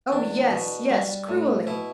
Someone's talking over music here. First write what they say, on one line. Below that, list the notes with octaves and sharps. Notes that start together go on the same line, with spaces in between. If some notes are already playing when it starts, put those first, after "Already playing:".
"Oh, yes, yes, cruelly!"
E2 D4
B2
G3
A2
B2 E4